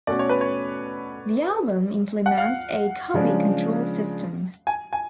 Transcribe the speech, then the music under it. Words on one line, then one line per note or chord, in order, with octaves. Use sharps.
The album implements a Copy Control system.
B2 A3 C#4 F#4 A4 D5
C#5
B4
C#5
F#5
F5
C#3 F3 G#3 D4
G#5
G#5